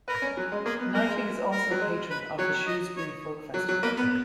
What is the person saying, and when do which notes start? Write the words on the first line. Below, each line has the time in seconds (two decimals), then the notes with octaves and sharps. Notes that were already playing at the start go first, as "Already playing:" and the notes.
Knightley is also patron of the Shrewsbury Folk Festival.
0.08 A#4 B4
0.22 C#4
0.37 F#3
0.52 G#3
0.65 A#3 G#4
0.79 B3
0.94 A#3 A#4
1.09 G#3
1.52 A#4
1.71 F#3
1.81 G#3
2.10 B4
2.38 F#3 C#5
2.67 D#5
2.96 C#5
3.54 F#3
3.69 F#3
3.82 A#3 B4
3.97 B3